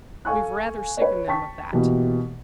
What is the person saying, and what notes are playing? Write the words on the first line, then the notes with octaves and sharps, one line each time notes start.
We've rather sickened them of that.
A4 F5 G#5 C#6 F#6
B4 C#5
G5 A5 C#6 B6
B2 E3 A#3 G4